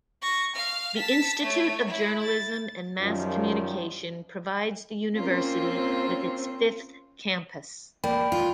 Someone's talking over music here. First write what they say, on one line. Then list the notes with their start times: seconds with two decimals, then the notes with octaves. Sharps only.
The Institute of Journalism and Mass Communication provides the university with its fifth campus.
0.22 C#6 A#6
0.56 F5 F6
0.97 A5 B6
1.43 A3 C#5
1.88 E4
2.23 A6
3.01 F#2 D#3 F3 G3 F4
5.16 A#3 C4 C#4 F4 C5
8.04 A#3 D5 G5 B5
8.32 F4